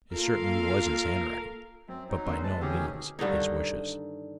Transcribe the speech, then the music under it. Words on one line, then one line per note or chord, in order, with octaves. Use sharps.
It certainly was his handwriting, but by no means his wishes.
A#3 F4 A4 A#4 F5
F#2 C4
F#3 D#4
D3 A#3 B3 G#4 C6 E6
G#3 A3 B3 A5
D2 D3 C4 C#4 D#4 G4 G#4 E6
B2 D#3
G2 D3 D#3 D#4